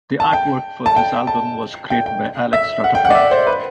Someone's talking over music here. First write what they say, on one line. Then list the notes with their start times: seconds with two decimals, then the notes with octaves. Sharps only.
The artwork for this album was created by Alex Rutterford.
0.20 A5
0.33 G5
0.86 A5
0.96 G5
1.27 A5
1.90 G5
2.06 G5
2.53 E5
2.84 F#5
2.95 G5
3.05 F#5
3.10 D5
3.15 E5
3.31 C5
3.47 B4